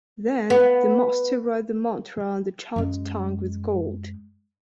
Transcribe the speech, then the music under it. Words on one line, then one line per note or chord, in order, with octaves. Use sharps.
Then, the master writes the mantra on the child's tongue with gold.
B3
F#2 G#3